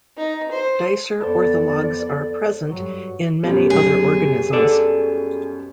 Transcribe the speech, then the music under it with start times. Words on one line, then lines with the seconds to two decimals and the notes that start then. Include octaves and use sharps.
Dicer orthologs are present in many other organisms.
0.17 D#4
0.52 C5
1.21 F2 B3 A4 C5 D5
2.70 G2 F#3
3.44 F#2 B2 G3
3.70 B1 G#4
4.53 A4 D5